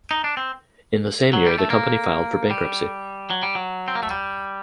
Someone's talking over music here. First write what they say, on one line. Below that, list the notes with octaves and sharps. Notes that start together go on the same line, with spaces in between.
In the same year the company filed for bankruptcy.
D#4
D4
C4
F#3
G3
A3
A#3
G3
F#3
G3
F#3
C4
A#3
A3
G3